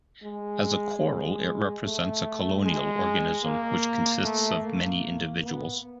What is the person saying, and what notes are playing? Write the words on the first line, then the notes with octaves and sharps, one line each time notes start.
As a coral, it represents a colonial organism, which consists of many individuals.
G#3
G#3
A3
G#3
A#3
A3
A#3
B3